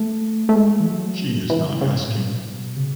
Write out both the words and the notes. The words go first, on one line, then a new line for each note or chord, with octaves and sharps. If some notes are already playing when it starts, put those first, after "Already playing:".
She is not asking.
Already playing: A3
A3
G#3
A3
E3
F#3
E3
C#3
C#3
B2
A2
B2
C#3